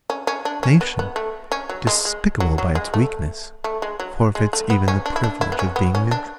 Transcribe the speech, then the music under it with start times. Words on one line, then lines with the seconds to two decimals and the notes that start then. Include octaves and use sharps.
A nation, despicable by its weakness, forfeits even the privilege of being neutral.
0.10 C#4
0.27 C#4
0.45 D4
0.63 C#4
0.81 B3
0.99 B3
1.16 A3
1.52 C#4
1.69 F#3
1.87 G#3
2.05 G#3
2.40 F#3
2.58 F#3
2.75 G#3
2.94 A3
3.64 A3
3.82 G#3
4.00 F#3
4.35 G#3
4.53 A3
4.70 B3
4.88 C#4
5.06 D4
5.16 E4
5.24 D4
5.41 E4
5.52 B3
5.59 C#4
5.76 B3
5.95 C#4
6.11 D4